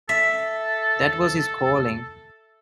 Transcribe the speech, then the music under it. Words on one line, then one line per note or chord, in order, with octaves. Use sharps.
That was his calling.
A4 E5